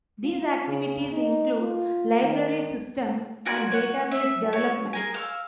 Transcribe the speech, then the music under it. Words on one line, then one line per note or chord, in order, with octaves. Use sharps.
These activities include library systems and database development.
F4
C#3
D#4
F4
D#3
F4 F#4 D5 G#5
C#5 F#5
E5
C#5
G#4 A#4 G#5
F5 C#6 E6